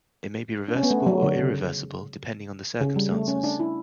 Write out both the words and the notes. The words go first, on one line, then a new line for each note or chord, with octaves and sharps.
It may be reversible or irreversible depending on the circumstances.
D4
C#4
B3
A3
F#3
D3
C#3
C#3
G3
A3
C#4
D4
E4